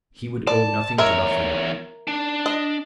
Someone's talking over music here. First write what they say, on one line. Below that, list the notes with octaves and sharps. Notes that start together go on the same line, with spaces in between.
He would owe nothing to Lafayette.
D5 A5
E2 A#4 C#5 E5 A#5
D4
D#5